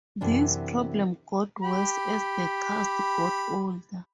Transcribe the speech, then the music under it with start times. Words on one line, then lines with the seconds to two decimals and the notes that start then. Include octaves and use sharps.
This problem got worse as the cast got older.
0.21 F#2 C3 E3 D4
1.62 G4 B5